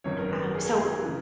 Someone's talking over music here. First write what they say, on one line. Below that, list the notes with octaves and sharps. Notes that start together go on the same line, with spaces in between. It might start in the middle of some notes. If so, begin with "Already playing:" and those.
um so,
G#1 F#2 D#3 C#5
A#4
B4
G#4
A#4
G#4
C#3 E3